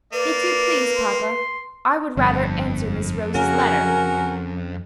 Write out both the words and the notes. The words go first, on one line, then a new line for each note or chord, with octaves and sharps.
"If you please, papa, I would rather answer Miss Rose's letter."
A#3 B4 D5
C6
G1 F2
C#3 F#4 A#4 G#5